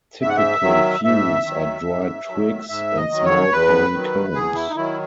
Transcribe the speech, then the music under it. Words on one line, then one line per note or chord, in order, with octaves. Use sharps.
Typical fuels are dry twigs and small pine cones.
G#2 E5
F#5
E5
D#3 F#3
G#2 E5
D#3 F#3
G#2
D#3 F#3
G#2 E5
D#5
D#3 F#3
C#5
E2 B4
D#3 F#3
E2 G#4
E4
D#4
D#3 F#3 E4